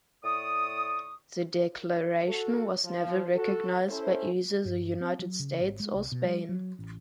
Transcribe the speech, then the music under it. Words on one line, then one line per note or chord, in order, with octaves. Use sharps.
The declaration was never recognized by either the United States or Spain.
A2 D5 C#6 D#6
F#4 A4
F3
F#4 A4
C#4 E4 A4 C5
G2
C4
F#3
C#3
G#1
G#3
C2
B2
G3
F#3
A1